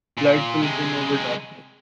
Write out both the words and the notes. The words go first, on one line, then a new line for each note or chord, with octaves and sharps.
Light will win over darkness.
A#2
C3 G#3